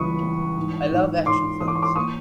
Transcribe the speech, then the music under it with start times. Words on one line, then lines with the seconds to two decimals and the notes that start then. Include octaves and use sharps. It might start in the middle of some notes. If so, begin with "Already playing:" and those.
I love action films.
Already playing: C#2 E3 G3 B5 C#6 D#6
0.22 E3
0.57 G#2
0.91 G#2
1.26 G#2 C6 D6
1.60 E3 D#6
1.68 D6
1.75 C#6
1.82 C6 D6
1.96 A#3 C#6 D#6